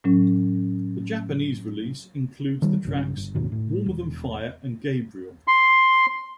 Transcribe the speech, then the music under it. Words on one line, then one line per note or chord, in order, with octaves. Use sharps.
The Japanese release includes the tracks "Warmer Than Fire" and "Gabriel".
A2 F#3 C#4
D#3 G3
B1 G2 C#3
G1
D#2 G#2 B2 D#3
A2
E1
C6